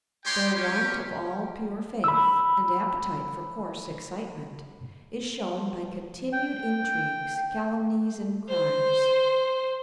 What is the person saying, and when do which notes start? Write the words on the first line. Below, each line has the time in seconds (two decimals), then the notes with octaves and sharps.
Their want of all pure faith, and appetite for coarse excitement, is shown by continued intrigues, calumnies, and crimes.
0.24 G#3 D#4 G4 C#5 G5 C6
0.56 C#4 G4
2.04 B5 E6
6.33 G5
8.49 C5